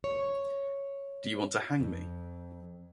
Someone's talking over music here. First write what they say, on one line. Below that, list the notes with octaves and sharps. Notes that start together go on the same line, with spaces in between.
Do you want to hang me?
C#5
F2